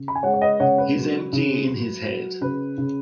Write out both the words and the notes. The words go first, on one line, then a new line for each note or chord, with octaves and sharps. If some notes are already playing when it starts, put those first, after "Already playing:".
He's empty in his head.
Already playing: C#3
B5
G#5
G#3 C#5 F#5
C#5
B4 D#5
C#3 C#5 F#5
B4
F#3
C#3
F#3
F#3
C#3 B4
C#3